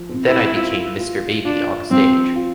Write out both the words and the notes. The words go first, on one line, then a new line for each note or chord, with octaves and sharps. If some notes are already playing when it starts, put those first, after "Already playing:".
Then I became Mr. Baby onstage.
Already playing: F3
C4
E4
F4
F4
D4 F4
F3 C4
F4